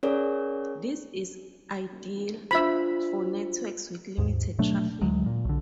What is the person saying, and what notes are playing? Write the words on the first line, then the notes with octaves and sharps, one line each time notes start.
This is ideal for networks with limited traffic.
C#4 G#4 A#4 C#5 D5
D4 F4 C5 E5 B5
D#2 G#2
B2 F#3 A3 D4
D2 F#3 G#3
A#2
B1 D3